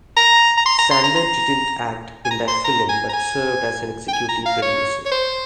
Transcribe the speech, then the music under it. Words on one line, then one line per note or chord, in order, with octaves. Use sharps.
Sandler didn't act in that film but served as an executive producer.
A#5
A#5
C6
A#5
C6
A#5
A#5
G#5
A#5
C6
A#5
G#5
A#5
G#5
G5
G#5
A#5
F5
C#5
C#5
C5